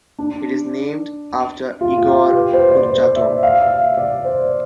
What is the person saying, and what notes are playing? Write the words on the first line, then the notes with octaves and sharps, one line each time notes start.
It is named after Igor Kurchatov.
D4
F4
F4
G4
B4
C5
D5
C5
D5
E5
F5
E5
D5
C5